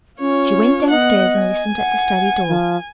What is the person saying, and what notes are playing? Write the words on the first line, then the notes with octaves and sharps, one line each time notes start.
She went down-stairs, and listened at the study door.
C#4 F4 C#5
B3 D#5 F#5
G#5
F#5
F3